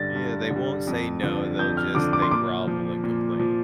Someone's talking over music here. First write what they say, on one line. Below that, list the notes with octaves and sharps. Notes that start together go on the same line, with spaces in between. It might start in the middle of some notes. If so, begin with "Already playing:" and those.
Yeah, they won't say no, they'll just they grovel and complain.
Already playing: G2 D3 G3 A6 A#6
G2
D3
G3
F2
D3 F3
F2 G6
F6
D3 F3 D6
D6
C6
A#2 D6
F3
A#2
F3